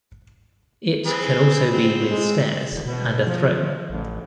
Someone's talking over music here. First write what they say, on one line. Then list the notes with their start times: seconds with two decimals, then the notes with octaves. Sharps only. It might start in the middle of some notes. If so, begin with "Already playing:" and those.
It can also be with stairs and a throne.
1.06 C4 G#4 B4
1.74 G#2 C4
2.10 G#3
2.73 E1
2.86 B2
3.27 F3
3.90 A1